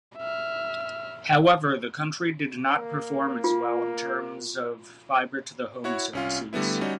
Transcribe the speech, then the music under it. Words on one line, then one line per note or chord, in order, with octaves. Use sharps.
However, the country did not perform as well in terms of fiber-to-the-home services.
E5 F6
A#3
F4
E4 F#4 C#5
C2 C#4 F4
D3 G3 A3 B3 E4
G3 C#4 D#4 F#4